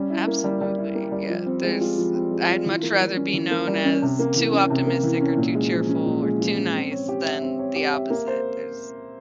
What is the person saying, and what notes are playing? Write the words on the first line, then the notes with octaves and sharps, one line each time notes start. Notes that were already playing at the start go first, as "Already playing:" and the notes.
Absolutely, yeah, there's I'd much rather be known as too optimistic or too cheerful or too nice than the opposite. There's
Already playing: G3 C#4
E4
A#3
G3
G3
E4
A#3
G3
F3
C4
G#3
F4
F3
C4
G#3
F4
E3
A#3
G3
C#4
E3
A#3
G3
C#4
C3
A#3
E3
C#4
C3
A#3
E3
C#4
A#2
G#3
F3
C#4
A#2
G#3
F3
C#4
C4
C#5
G4
E5
C4
C#5
G4
E5
A#3
C5